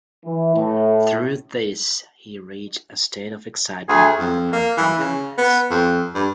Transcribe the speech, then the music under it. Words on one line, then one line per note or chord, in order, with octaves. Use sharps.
Through this he reached a state of excitement rather than drunkenness.
E3
A2
D2 G#4
F2
A#3
E3
C#3
B3
F2
G2